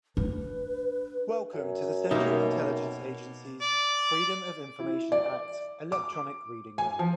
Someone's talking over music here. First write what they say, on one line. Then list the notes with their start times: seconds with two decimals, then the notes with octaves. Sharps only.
Welcome to the Central Intelligence Agency's Freedom of Information Act Electronic Reading Room.
0.17 D4 B4
1.53 F#2
2.11 B2 A#3 D#4 G4 E5
3.61 D5
4.80 E4
5.12 D5
5.92 D6
6.78 G#5
6.99 F3